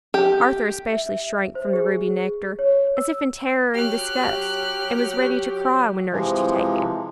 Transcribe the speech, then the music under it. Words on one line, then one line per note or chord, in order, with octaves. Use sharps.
Arthur, especially shrank from the ruby nectar as if in terror and disgust, and was ready to cry when urged to take it.
G4
E5
C5
G#4
C#5
E6
F#3 G4 F6 F#6
C3 E3 F3 G#3